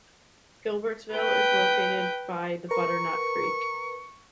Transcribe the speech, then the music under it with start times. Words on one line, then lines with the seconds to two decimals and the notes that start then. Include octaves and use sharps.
Gilbertsville is located by the Butternut Creek.
1.15 B4 G5
2.71 A#4 B4 A#5 C#6